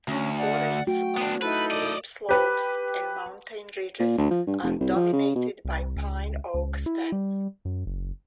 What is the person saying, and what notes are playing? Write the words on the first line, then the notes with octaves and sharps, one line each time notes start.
Forests on the steep slopes and mountain ridges are dominated by pine-oak stands.
D2 C#4
D5 F#5
A3 F#4 G5
B3 D4
D#4 E4 A4 B4
D5 D#5
G4 B4
A#2
D2
F3
G2
F1
C2
F3
C#3
B2
C2
C#2
C#2
E4
G3
F#2
F#1